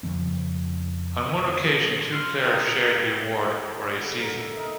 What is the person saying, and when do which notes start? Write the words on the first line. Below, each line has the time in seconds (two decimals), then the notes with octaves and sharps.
On one occasion two players shared the award for a season.
0.03 F2 C#3 F3 C4
2.12 C6 F6
2.45 F5 G5 A#5 D#6 G#6
3.99 D3
4.20 A#4
4.36 E5
4.57 D#4